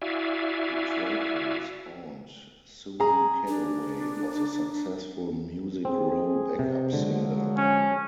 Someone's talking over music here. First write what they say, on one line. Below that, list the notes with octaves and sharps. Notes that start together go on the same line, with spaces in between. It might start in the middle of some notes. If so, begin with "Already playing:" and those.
Matraca's Aunt Sudie Calloway was a successful Music Row backup singer.
E4 F#4 D5 E5 F5 G#5
G#4 A#5
D4
C4 G#4
C3
D3 F3 F#3 G#3
C#4